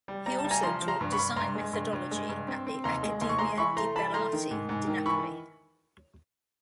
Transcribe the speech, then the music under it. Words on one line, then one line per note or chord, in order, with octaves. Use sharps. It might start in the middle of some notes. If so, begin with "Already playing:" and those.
He also taught design methodology at the Accademia di Belle Arti di Napoli.
G3
G3 A#5
A5
G3
G#5 A#5
F3 A#5 C6
F3
A#5 C6
G2
B5 C#6
G2
G2 A#5 C6
G#3
G2
G2
G#3
G2
C4
C4
D#2 A#5 C6
G#3
D#2 C6
C#6
G#3 A#5 C6
E3 B5 C#6
A3 A#5 C6
E3 A5 B5
A3 A#5 C6
D#3
G#2
G#2
D#3
E3 B5 C#6